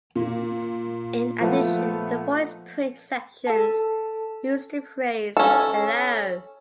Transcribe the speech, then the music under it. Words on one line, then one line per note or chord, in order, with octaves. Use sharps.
In addition, the voice print sections use the phrase Hello.
A#2
F3 A3 B3
A4 A5
C#4 A4